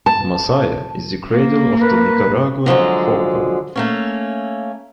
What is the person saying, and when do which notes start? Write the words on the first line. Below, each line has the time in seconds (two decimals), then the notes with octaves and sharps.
Masaya is the cradle of the Nicaraguan folklore.
0.06 A5
1.29 A#3
1.81 A#4 B4
2.66 D3 F3 F#3 G#3
3.76 A3 A#3 C#4